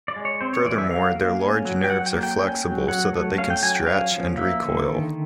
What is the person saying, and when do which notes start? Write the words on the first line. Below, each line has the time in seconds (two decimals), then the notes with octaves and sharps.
Furthermore, their large nerves are flexible so that they can stretch and recoil.
0.08 D5
0.16 G#3
0.25 C#5
0.41 C4 C5
0.53 C#5
0.65 E3 D5
0.78 E5
0.90 F#3 F5
1.16 A#3
1.40 C#4
1.65 F#3
1.84 G5
1.89 F#3 F#5
2.06 G5
2.14 A#3
2.23 G5
2.39 C#4 G5
2.64 F#3
2.88 F#3 F#5
3.13 A3
3.38 C#4 F5
3.50 G5
3.62 F#3 G#5
3.75 G5
3.87 C#4 F5
4.12 F3
4.37 A#3 E5
4.61 D3
4.86 D#3